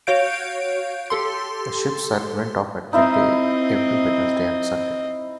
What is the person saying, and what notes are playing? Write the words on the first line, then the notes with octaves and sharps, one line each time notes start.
The ship's siren went off at midday every Wednesday and Sunday.
F#4 C#5 F5 G6 D7
G4 A4 C6
C4 D#4 E4 D#5 E5